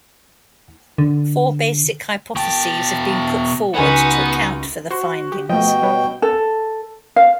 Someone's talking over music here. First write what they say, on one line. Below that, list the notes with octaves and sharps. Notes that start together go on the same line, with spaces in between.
Four basic hypotheses have been put forward to account for the findings.
D3
B2 G5 A5
C#2 B3 D#4 F#4 G#5 E7
F#4 C5 C6
G4
B2 F3 A3 D#5 G5
G3 B4 C#5
A4
F5